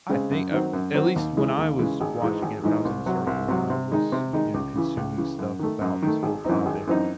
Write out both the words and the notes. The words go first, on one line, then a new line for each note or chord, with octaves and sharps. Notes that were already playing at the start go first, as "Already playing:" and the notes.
I think uh at least when I was watching it, when I was in the circle, when I was, you know, consuming stuff about this whole topic,
C#3 G#3 C4
F#2
D#3 F#3 C4
F#2
D#3 F#3 C4
D#2
C#3 E3 G#3
D#2
C#3 E3 G#3
G#1
G#2 E3 G#3 D#4
G#1
G#2 E3 G#3 D#4
C2
C3 F#3
C2
C3 F#3
C3
D#3 G#3 D#4
C3
D#3 G#3 D#4
C#2
C#3 E3
C#2
C#3 E3
F#2
D#3 A3
F#2
D#3 A3
G#1
F#2 E3 C4 D#4
G#1
F#2 E3 C4 D#4